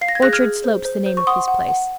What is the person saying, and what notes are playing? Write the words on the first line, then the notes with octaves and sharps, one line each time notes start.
Orchard Slope's the name of his place.
F5 C7
A#6
G#6
G#4 F#6 A#6
F6 G#6
G#4
C5
C5
C5
C#6
F#5 C6 D#6
F#5
F#5